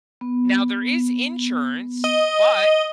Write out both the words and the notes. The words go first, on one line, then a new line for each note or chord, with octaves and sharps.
Now, there is insurance, but
B3
D#5